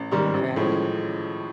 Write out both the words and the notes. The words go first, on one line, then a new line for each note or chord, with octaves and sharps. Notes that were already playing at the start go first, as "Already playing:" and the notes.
Oh, right.
Already playing: A1
G#2 D#3 G3
A1
A2 F3 G#3 C#4